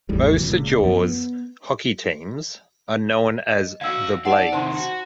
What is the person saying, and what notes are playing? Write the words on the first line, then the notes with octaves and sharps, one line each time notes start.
Beausejour's hockey teams are known as the Blades.
G#1 E2 A2 G3
D1 C3 E3 F#3
D1 C#2 A#2
F#2 F3 B3
B3
D#5
D2 F#4 F5 E6
D#4 D5 F#5
C3 D#3 C5 A5 C6
F#4